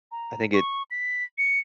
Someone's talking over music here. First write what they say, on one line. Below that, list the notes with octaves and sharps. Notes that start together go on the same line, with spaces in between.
I think it
A#5
C#6
B6
C#7